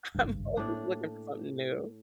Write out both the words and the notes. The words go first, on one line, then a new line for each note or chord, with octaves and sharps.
I'm always looking for something new.
G#1 C#2 G2
A2 A#3 D4